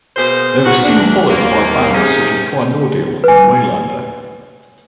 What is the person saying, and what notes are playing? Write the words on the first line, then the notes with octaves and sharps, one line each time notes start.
They were soon followed by bands such as Primordial and Waylander.
B2 A#3 G#4 C5
G#2 D#3 B3 F#4
E2 D4
D#2 A#3
C3 C#4 D#4 G#4 A#4
B4 G#5